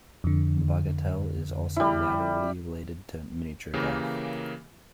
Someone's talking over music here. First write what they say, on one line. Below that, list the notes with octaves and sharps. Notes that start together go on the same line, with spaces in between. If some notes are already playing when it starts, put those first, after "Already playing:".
Bagatelle is also laterally related to miniature golf.
F2 D3
G3 E4
C#3 E3 A#3 G4 A#4